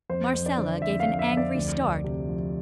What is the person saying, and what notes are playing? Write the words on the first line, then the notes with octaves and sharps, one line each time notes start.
Marcella gave an angry start.
F2 C5
F2
D5
D3
F2 E5
F5
F2
E5
F2
D5
D2
D2
C3
F3